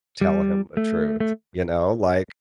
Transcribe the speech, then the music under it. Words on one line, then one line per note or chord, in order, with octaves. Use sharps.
tell him the truth?" You know, like,
G3
A3
A3